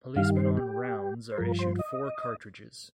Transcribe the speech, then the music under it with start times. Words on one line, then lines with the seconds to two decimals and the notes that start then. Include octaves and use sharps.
Policemen on rounds are issued four cartridges.
0.16 G2 D#3 G3 F5
0.37 C5
0.57 G4
1.32 C5
1.38 G2 F3 A#4
1.59 C5
1.79 D#5